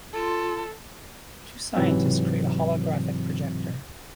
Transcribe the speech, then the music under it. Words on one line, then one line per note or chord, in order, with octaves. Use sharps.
Two scientists create a holographic projector.
F4 A4
G#2 C3 E3 F#3 C4